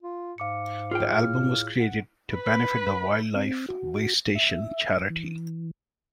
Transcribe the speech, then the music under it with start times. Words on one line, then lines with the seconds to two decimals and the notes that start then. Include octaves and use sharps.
The album was created to benefit The Wildlife Waystation charity.
0.03 F4
0.38 G#2 F5 D6 C#7
0.91 F4 G#4 G5 F6
1.18 A2
1.78 F#5
2.33 B4 B5
3.35 C4
3.69 F#4
4.35 E5
5.10 E3